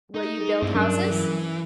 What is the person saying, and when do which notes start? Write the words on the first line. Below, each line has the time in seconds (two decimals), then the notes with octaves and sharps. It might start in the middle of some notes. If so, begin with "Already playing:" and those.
"Will you build houses?"
0.14 D#4
0.41 G#4
0.62 G2 C4 E4
0.75 F#3 C#4 D4 A#4
1.10 E3